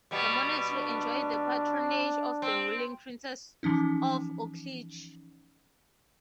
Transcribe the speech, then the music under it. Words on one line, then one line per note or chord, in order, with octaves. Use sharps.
The monastery enjoyed the patronage of the ruling Princes of Uglich.
B2 G3 B3
D4
C4
E3 F3 C#4 D#4